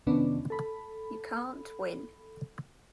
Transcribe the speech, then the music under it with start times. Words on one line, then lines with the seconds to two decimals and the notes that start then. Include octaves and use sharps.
You can't win.
0.07 F2 C3 D#3 B3 C#4 D4
0.50 A4 B5